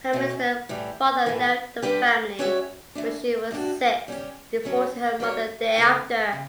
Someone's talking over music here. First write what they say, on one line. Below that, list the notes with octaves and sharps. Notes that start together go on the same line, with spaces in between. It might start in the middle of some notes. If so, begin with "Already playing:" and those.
Her minister father left the family when she was six, divorcing her mother thereafter.
B2 A3 C#4
A2 E3 G3
A2 E3 A3
D3 G3 D4 G4 B4
G3 C#4 F#4 C#5 E5
E3 A3 D4
A2 G3 D4 F#4
G3 C#4 G4
A2 F#3 C#4 G4
G3 D4 F#4 A4 C#5
C#3 E3 A3 E4 A4
C#3